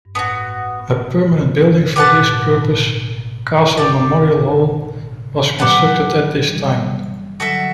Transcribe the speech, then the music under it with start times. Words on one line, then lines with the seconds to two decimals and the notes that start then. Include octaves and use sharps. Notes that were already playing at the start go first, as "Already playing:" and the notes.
A permanent building for this purpose, Castle Memorial Hall, was constructed at this time.
0.05 G2
0.15 A2 B3 D4
0.19 F#4
1.05 B2
1.27 C#3
1.67 D3
1.73 C#3
1.96 B2 G4 B4 F#5 A5
2.18 A2
2.41 B2
2.64 A2
3.77 G4 D5 A5
4.68 B2
4.91 A2
5.12 C#3
5.36 C#3 E3
5.58 D3 F#3 G4 B4 F#5 A5
6.48 E3 G3
7.40 D3 F#3 F#4 A4 E5